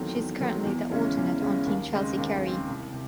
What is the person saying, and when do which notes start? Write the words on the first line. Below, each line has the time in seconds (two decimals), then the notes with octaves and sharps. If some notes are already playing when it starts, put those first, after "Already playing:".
She is currently the alternate on Team Chelsea Carey.
Already playing: E2 D#3 F#3 A3 C4
0.15 E2
0.40 D#3 F#3 A3 C4
0.65 E2
0.91 C#3 G#3 C#4 E4
1.17 E2
1.41 C#3 G#3 C#4 E4
1.66 D#2
1.92 C#3 G#3 C4
2.18 D#2
2.42 C#3 G#3 C4
2.68 C2
2.93 C3